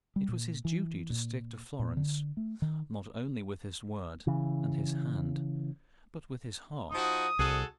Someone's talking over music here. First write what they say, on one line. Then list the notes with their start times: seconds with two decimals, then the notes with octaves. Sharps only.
It was his duty to stick to Florence, not only with his word and his hand, but with his heart.
0.16 G3
0.28 A#2
0.65 E3
1.10 A#2
1.79 A#2
1.97 D3
2.37 A3
2.62 D#3
4.27 C#3 E3
6.92 F3 D#4 F#4 D#6
7.39 C2 F#4 G#4 A4